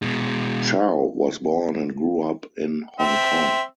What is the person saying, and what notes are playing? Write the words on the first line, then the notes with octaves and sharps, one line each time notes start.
Chow was born and grew up in Hong Kong.
B2 G#3
C4 E5